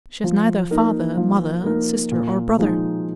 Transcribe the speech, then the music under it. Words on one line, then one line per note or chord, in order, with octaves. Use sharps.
She has neither father, mother, sister, or brother.
F3
A#3 D#4 A#4
F3
A#3 D#4 A#4
A#2
F3 G#3 D#4